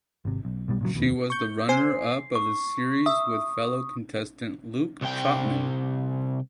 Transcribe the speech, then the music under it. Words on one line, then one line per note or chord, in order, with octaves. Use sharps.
She was the runner up of the series with fellow contestant Luke Trotman.
G#1 C3
B1
B1 B2 G3
A#2 C#3 F#3
F1 D#2 B2
C#6 G6
C5 G#5 C7
C#6
E5 D#6
C2 G5